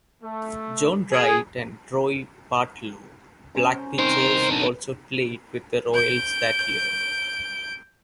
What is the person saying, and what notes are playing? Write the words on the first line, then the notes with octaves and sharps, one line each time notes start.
John Wright and Roy Partlow, black pitchers, also played with the Royals that year.
A3
G#4
C#4 C5 A#5
C2 D#3 C4 A#4 C5
B1 B2 D4
G6 D7